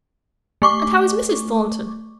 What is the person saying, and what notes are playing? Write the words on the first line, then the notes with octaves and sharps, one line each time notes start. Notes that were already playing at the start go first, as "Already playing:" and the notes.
And how is Mrs. Thornton?
A3 C#6 D6